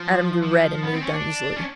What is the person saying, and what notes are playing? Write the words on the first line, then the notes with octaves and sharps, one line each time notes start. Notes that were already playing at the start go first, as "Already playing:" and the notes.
Adam grew red and moved uneasily.
Already playing: F3
F3
B3
C4
C#4
D4
C#4